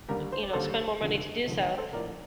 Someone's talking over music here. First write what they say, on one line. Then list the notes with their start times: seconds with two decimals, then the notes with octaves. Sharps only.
you know, spend more money to do so,"
0.08 D#2 D3 G3 G4 A#4
0.32 C5
0.43 D5
0.53 D#2 D3 G3 A4 C5
1.01 F1 F2 D3
1.47 F1 F2 D3
1.63 D#5 G5
1.77 A4 C5
1.93 A#1 A2 F3 A#4 D5